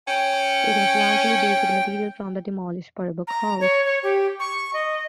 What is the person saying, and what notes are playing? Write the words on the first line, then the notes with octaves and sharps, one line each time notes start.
It was largely built with material from the demolished Purbrook house.
C#4 G5
A#5
C#5
C#5
G4
C#6
D#5